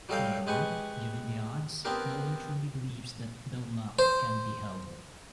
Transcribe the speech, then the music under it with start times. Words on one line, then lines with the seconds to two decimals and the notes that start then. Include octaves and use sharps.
However, given the odds, no-one truly believes that Delnoch can be held.
0.09 F#3 G3 A4 D#5 F5 G5
0.47 G#3 G4 B4 G#5 C#6
1.85 B3 C4 D4 G4 A#4
3.99 C5